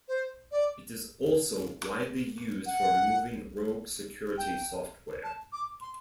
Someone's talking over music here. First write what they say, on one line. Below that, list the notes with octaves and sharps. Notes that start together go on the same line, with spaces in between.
It is also widely used for removing rogue security software.
C5
D5
F#5
G5
A5
D6
C6